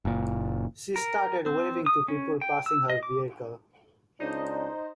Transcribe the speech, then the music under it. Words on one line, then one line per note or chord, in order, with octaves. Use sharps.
She started waving to people passing her vehicle.
F#1 A#2
A#4
C4
D#6
C#4
G5
E6
D#5
D6
C#2 D4 D#4 C5 D#5